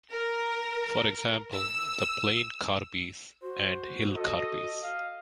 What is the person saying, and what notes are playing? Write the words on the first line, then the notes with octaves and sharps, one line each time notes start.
For example, The Plain Karbi's and Hill Karbi's.
A#4
E6
F#4 C5
A4 D#5
F5